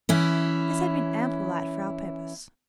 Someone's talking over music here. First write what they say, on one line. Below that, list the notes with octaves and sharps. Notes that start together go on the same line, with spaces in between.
This had been ample light for our purpose.
E3 C#4 E4